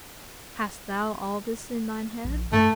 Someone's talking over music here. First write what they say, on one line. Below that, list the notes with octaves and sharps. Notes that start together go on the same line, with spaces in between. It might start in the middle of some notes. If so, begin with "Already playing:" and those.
Hast thou all this in thine head?
A#1
G2 A3